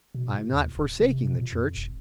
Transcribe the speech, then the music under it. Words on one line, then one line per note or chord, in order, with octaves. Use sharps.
I am not forsaking the Church.
B2
A2
D#2
D#1
C3
A#2
F2
E1